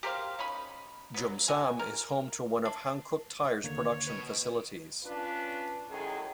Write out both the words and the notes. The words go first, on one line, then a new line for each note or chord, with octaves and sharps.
Geumsam is home to one of Hankook Tire's production facilities.
G4 A#4 C5 F5
C#4 D#4 B5
F#3 B3
F#4 G#5
A#4
D4
D#2 D3 A#3 C#5
B4 D#5
C#4 D4 F4 B4
F#2 A2 D#3 G#4